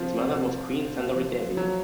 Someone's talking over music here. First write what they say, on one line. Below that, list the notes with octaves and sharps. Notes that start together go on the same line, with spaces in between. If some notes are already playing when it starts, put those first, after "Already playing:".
His mother was queen Sundari-Devi.
Already playing: C3 F3
C3
C3
C3
C3
A#3
F3
A#3
F3 F#3